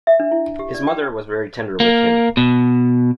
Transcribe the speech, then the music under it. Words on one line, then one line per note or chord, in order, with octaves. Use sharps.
His mother was very tender with him.
E5
D4
E4
G4
D5
G5
A#3
B2